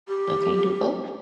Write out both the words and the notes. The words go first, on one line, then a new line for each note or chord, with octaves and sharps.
I can't do both?
G4